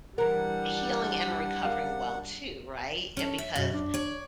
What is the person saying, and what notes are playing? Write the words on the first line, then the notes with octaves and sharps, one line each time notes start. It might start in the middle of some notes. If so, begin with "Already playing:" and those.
healing and recovering well too, right? And because
E3 G3 D4 A#4 F#5
A#4 F5
C#4 A4
E5
F#2 B2
D4
C#5 D5